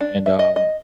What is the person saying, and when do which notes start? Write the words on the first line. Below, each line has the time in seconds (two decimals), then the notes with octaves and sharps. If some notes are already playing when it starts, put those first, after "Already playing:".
And, um
0.01 D4
0.26 E5
0.39 D#5
0.56 D#5